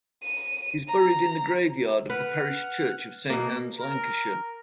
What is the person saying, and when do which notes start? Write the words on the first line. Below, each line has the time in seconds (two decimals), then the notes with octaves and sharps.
He is buried in the graveyard of the Parish Church of Saint Annes, Lancashire.
0.24 D#7
0.88 A#5
2.10 B4 F#5 F6
3.30 B2 A#3
3.78 A#4